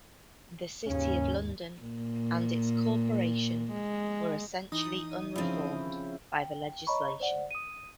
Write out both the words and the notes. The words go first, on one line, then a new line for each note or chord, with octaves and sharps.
The City of London and its corporation were essentially unreformed by the legislation.
D#2 G#2 C#3 C#4
A#2
G#3
E3 D#4 D#6
C#3 F3 C4 E4
G5
C#5 D#5 A#5 B5 C#6
C5 D5 F#5
D#6 D#7